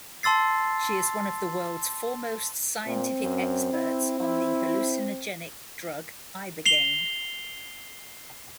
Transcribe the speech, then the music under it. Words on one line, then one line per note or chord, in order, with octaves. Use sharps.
She is one of the world's foremost scientific experts on the hallucinogenic drug ibogaine.
A5 C6 E6 A6 C7
A#2 C4
F#2
E4
E4
C7 F7 G7